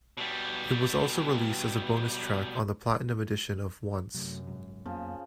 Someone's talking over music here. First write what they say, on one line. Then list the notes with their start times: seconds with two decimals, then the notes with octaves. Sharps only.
It was also released as a bonus track on the platinum edition of "Once".
0.17 B2 G3
4.15 F#2 C3 F#3 A3
4.47 F#1 G#2 F#3
4.86 F2 C#3 F3 F#3 A#3 B3